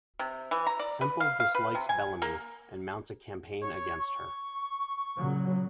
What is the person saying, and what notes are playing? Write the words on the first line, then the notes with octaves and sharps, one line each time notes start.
Semple dislikes Bellamy and mounts a campaign against her.
C3
E3
A#5
D5
B4
F5
F5
B4
C3
G#5
A#3
C#5
C#6
A#2 C#3 F#3